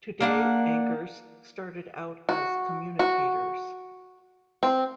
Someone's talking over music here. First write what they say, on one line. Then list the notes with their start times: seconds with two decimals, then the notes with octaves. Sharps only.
"Today" anchors started out as "Communicators".
0.20 A#3 D4 F#5
2.29 F#4
2.99 F#4
4.63 C4